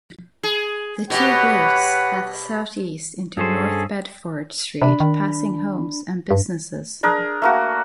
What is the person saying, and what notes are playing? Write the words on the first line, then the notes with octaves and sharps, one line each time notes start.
The two routes head southeast onto North Bedford Street, passing homes and businesses.
G#4
B2 G4 B4 C#5 F#5
G2 C#4 G#4 A4 C5
C3 D4 B5
D#3
G2
D4 G#4 A#4
A3 A#3 F#4